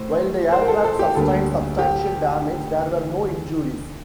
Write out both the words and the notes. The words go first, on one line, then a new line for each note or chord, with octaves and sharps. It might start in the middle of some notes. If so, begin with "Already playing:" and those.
While the aircraft sustained substantial damage, there were no injuries.
Already playing: A2 C5
C5
A#4
A4
A4
G4
D2 D3 G3 A#3 A4
G4